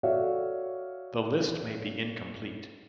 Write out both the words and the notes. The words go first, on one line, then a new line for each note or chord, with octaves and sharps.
The list may be incomplete.
F#4 A4 C#5 D5 E5 F5